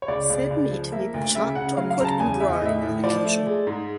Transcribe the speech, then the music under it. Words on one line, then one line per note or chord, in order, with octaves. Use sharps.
Said meat may be chopped or put in brine on occasion.
C#5
C#2 D5
C#2
C#2
F3
A#3 E5
D2
C#3 E5
C#3 F#5
F#3 F5
F5
C#3 A#5
A5
E2 G#5
E2 E5
D#5
A2 E5
A2
F3 D5
A3
G#3
G#2